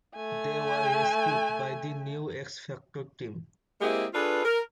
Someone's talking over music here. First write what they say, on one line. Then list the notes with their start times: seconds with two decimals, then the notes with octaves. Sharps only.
They were rescued by the new X-Factor team.
0.15 A3 G#5
3.81 G#3 A#3 C4 E4 G4 G#4
4.14 D4 F4 G#4 A4 B4
4.45 A#4